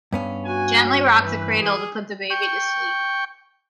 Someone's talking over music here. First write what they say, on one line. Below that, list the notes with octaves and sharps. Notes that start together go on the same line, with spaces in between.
Gently rock the cradle to put the baby to sleep.
G2 B3 C#4
F#4 G#5
C#5
E3 B4
G#4
G5 C#6